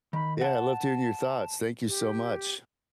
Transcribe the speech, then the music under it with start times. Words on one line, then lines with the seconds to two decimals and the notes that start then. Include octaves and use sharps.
Yeah, I loved hearing your thoughts. Thank you so much.
0.13 D#3 B5
0.41 F#5 A5
1.87 G4